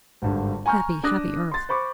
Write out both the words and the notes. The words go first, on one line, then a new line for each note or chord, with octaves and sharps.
Happy, happy earth!
G#1 G2 D3
G#5 A#5 C#6 F6 G6
D4 D6 D#6 F#6 A#6
C6 A6
C5 B5 C#6 D6